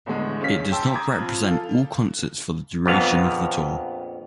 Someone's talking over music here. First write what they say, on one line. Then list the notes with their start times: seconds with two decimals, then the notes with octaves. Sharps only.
It does not represent all concerts for the duration of the tour.
0.06 E2 A2 D3 G#3
0.41 C#2 C#4 G#4 F5 B6
0.71 G5 A5 C6 E6
0.93 A#5 B5 D6 D#6 G#6
1.19 F2 F4
1.46 A4 F5
2.86 A#1 F2 B3 F5